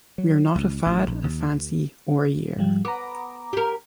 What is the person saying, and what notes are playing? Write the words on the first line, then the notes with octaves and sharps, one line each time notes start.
We're not a fad, a fancy, or a year.
F#3
C#2
A1
A#1
D#2
D2
G#2 F3 G3
B3 A#5 D6
G4 A#4